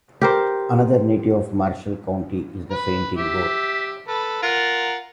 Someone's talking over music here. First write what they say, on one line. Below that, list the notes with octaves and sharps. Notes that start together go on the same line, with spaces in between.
Another native of Marshall County is the fainting goat.
G4 A#4 C5
B4
G4 E5
A4 B4
F4 A#4 F#5